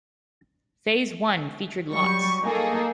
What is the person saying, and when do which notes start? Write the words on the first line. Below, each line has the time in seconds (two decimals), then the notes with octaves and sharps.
Phase one featured lots.
1.92 F#3 G3 C#6
2.43 A#3 D#4 G#4 A4